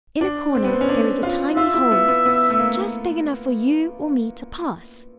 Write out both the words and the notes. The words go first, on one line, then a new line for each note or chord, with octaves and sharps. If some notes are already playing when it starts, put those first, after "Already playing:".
In a corner there is a tiny hole, just big enough for you or me to pass.
D4
C4
B3
C4
C#4
D4
F4
F4 E5
E4
B3
B3
B3
A3
A#3